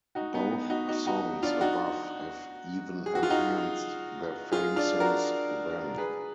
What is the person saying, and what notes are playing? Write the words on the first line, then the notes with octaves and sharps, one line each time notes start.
Both songs above have even enhanced their fame since then.
D#4 F#4
B3 D#4
D#4 F#4
D#4 F#4
D#4 F#4
D4 F4
D#4 F#4
G#4
F#4
F4
D#4 F#4
F4 G#4
D4 F4
F#4 A#4
G#4 B4